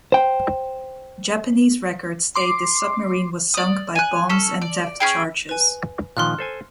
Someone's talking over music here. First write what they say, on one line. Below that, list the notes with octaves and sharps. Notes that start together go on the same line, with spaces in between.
Japanese records state this submarine was sunk by bombs and depth charges.
C5 G5
C6 D6 C7
D5 D#6
G#5 F#6
C#4 A4
D5
C#4 F4 G#4 G5
B4 G#5
A#2 D#3 F3 C6 F6 F#6
A4 C5 G#5